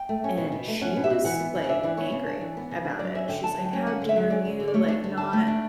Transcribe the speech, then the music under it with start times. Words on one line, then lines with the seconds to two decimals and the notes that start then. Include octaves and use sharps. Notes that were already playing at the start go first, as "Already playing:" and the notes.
and she was, like, angry about it, she's like, "How dare you, like, not
Already playing: G5
0.09 A3
0.24 C#4
0.37 B2
0.52 B2
0.67 A3
0.81 C#4 F#5
0.96 B2
1.04 E5
1.10 B2
1.25 E3 F#5
1.40 B3
1.55 C#3
1.64 F#5
1.69 D4 E5
1.83 E3 D5
1.97 B3 C#5
2.12 C#3
2.26 D4
2.41 E3
2.57 B3
2.71 C#3
2.85 D4
2.99 F#3 D5
3.15 C#4 E5
3.28 D3 G5
3.43 D3 A5
3.58 F#3
3.65 G5
3.73 C#4
3.87 D3 F#5
4.02 D3
4.09 E5
4.16 F#3
4.30 C#4 D5
4.45 D3
4.60 D3
4.68 D5
4.74 A3 C#5
4.88 D4
5.04 D3
5.17 D3 A5
5.33 A3
5.48 D4